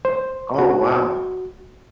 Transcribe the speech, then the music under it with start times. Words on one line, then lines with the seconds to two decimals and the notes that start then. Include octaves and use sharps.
Oh, wow.
0.05 C5
0.59 F#4